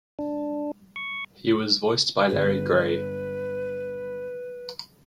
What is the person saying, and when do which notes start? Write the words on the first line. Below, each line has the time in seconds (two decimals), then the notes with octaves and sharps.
He was voiced by Larry Grey.
0.19 D4
0.96 C#6
2.29 G1 G#4 B4